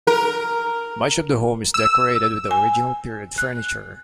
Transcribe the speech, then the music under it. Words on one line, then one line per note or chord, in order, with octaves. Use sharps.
Much of the home is decorated with original period furniture.
A#4
E6
G#5
F#6